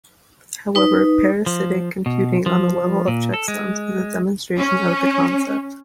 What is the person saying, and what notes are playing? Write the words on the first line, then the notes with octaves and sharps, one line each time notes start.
However, parasitic computing on the level of checksums is a demonstration of the concept.
D#4 B4
F3
B2
F3
A#2
A4
G#3
C#4